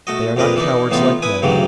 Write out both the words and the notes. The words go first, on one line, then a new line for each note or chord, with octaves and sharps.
They are not cowards, like men.
A3 F#4 D#5
A#1 F2 D4 A#4 B4 D#5
E3 D4 D#4
A2 E3 B3 D#4 F4
E4 B4 G#5 D#6
D2 G2 C#3 E3 F#3 G3